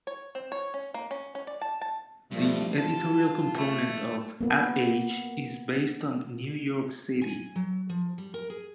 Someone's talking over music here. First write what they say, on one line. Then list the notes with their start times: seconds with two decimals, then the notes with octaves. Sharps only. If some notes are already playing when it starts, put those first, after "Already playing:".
The editorial component of "Ad Age" is based in New York City.
0.07 C#5
0.35 C4
0.52 C#5
0.74 C#4
0.94 A#3
1.11 C#4
1.35 C#4
1.47 D5
1.61 A5
1.81 A5
2.32 G2 F3 G3 A3
2.78 F4 A5
3.55 A3
4.41 A#3 B3
7.21 G#5
7.56 F#3
7.89 F3
8.18 G3
8.34 A#4
8.50 G#4